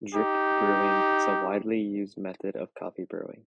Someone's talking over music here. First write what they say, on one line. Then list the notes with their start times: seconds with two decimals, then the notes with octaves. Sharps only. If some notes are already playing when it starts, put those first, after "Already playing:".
Drip brewing is a widely used method of coffee brewing.
0.14 D#4 G4